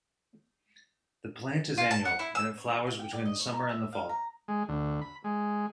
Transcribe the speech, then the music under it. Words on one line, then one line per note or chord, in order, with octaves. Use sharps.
The plant is annual and it flowers between the summer and the fall.
F4
A5
F#5
E4
E6
C#5
F5
G5
D5
D#5
C#5
A#5
E5
F5
A#5
G#3
D2
B5
G#3